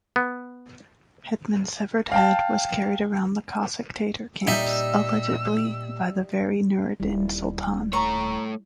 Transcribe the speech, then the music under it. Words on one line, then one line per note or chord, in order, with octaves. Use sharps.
Hetman's severed head was carried around the Cossack-Tatar camps, allegedly by the very Nuradin-Soltan.
B3
F5 G5 A5
A#2 G3 D#4 G4 E5 G5 E6
D#1 G3 E4
A3 C#5 A#5 C#6